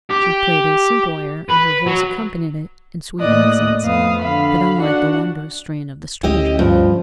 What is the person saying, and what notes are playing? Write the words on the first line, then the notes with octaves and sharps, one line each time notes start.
She played a simple air, and her voice accompanied it in sweet accents, but unlike the wondrous strain of the stranger.
G4
B4
F#3
A2 A#3 D5 D#5 D#6 F#6
F2 A3 B3 F5 D#6
D3 F5 B5
D4 F#4 F#5
D2 C#4 E4 G4 D#5
G2 F3